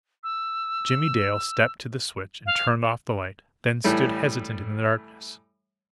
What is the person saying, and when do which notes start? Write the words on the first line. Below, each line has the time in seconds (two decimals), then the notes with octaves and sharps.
Jimmie Dale stepped to the switch and turned off the light; then stood hesitant in the darkness.
0.24 E6
2.46 F5
3.84 A2 E3 G3 A3